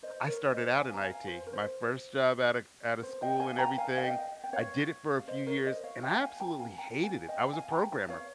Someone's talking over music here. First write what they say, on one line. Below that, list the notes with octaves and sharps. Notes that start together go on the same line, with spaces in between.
I started out in IT. My first job out of c out of school and everything. I did it for a few years, and I absolutely hated it. I was a programmer.
C5 D#5
A#4 C#5
C5 D#5
F5 G#5
A#5
F5 G#5
C5
A#4
C5
C5
D#5 G5
F5 G#5
G5 A#5
F5 G#5
F5
D#5 G5
G5
C#5 F5
F5
C5 D#5
A#4 C#5
C5 D#5
C#5 F5
D#5 G5
F5 G#5
G5 A#5
F5 G#5
G5 A#5
F5 G#5
D#5 G5
F5 G#5
G5 A#5
C#5 F5